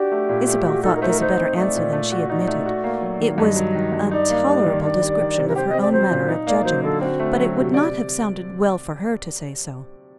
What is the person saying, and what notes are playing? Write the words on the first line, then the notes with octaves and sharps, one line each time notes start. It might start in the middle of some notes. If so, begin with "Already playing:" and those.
Isabel thought this a better answer than she admitted; it was a tolerable description of her own manner of judging, but it would not have sounded well for her to say so.
Already playing: D4 F#4 G4
A3
A#2
A3
F#4
D#4 A4
A#4
A3 C5
A#4
D#4 C5
C4
A3 D5
A#2
A3
F#4
D#4 D5
A3
F#4
A#3
F#3
D#3
G2 D#5
F#3
D#3
G2
D#4 D5
A#3
G3
D#3
D4 D5
G3
D#3
C3
A#4
G4 C5
D#5
C4
D5
F#3 C5
A#2
D#4
A#3 D5
F#3 C5
D3 A4
C4 F#4
A3
F#3
C3
D5